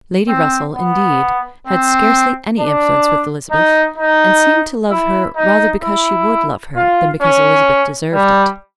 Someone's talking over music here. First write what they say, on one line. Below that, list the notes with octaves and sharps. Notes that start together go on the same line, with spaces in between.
Lady Russell, indeed, had scarcely any influence with Elizabeth, and seemed to love her, rather because she would love her, than because Elizabeth deserved it.
C4
B3
C4
D4
D#4
D#4
E4
D#4
E4
F4
C#4
G3